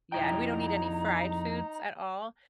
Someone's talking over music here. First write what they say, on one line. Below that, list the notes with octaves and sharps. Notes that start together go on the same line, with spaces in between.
Yeah, and we don't eat any fried foods at all,
F2 D#4 E4 G5 A#5